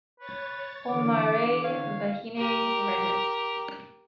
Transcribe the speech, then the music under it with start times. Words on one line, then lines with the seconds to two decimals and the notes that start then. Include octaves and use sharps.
Po-maré Vahiné Regent.
0.20 B4 C#5 A6
0.89 D3 E3 D6
1.64 C#5 F5
2.37 G4 A#4